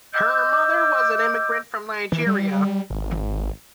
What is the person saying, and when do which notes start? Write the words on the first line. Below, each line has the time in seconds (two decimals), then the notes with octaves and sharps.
Her mother was an immigrant from Nigeria.
0.14 D#5 D6 E6 G6
2.12 E3
2.27 G3
2.90 G#1